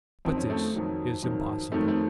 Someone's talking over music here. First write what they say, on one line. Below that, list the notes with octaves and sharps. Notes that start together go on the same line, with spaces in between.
But this is impossible.
F2 D#3 F#3 C4
C#4
A3 C4
F2 D#3 F#3
F2 D#3 F#3
F2 D#3 F#3 A3 C4
A3 C4